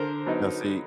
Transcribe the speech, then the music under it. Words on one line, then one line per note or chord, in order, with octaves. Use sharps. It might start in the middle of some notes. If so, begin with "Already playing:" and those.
Now, see,
Already playing: D3 A#4 C5
F#3 B3 D#4